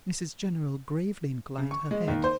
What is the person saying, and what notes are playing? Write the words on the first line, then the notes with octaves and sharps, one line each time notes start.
Mrs General gravely inclined her head.
C#3
C#6
G#3
D#2
C5